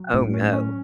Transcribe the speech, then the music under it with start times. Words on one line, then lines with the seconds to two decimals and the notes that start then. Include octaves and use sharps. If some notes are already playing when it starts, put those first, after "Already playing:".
Oh, no.
Already playing: F#3
0.14 A2 C#4
0.34 C#4
0.54 C#4